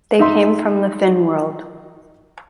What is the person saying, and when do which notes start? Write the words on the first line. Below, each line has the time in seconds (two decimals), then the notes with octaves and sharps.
They come from the Finn world.
0.19 D#4 E5 C6